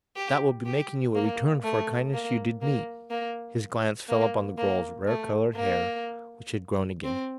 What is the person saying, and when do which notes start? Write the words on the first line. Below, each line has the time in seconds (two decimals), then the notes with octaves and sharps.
"That will be making you a return for a kindness you did me." His glance fell upon the girl's rare-colored hair, which had grown again.
0.16 G4
0.65 G4
1.15 A#3
1.64 A3
2.13 A#3
2.62 A#3
3.10 A#3
4.09 A#3
4.58 A#3
5.07 A3
5.56 A#3
7.04 C4